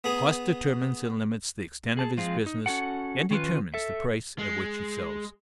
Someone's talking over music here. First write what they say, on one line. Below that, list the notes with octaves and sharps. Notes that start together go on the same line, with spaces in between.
Cost determines and limits the extent of his business and determines the price at which he sells.
B3 G#4
G#4 A5
F3 G#3 C4 F4 G#4
D#4
C#4 E4 F#4 A4 F#5
D#3 C#4 E4 F4 B4
A4 E5
G#3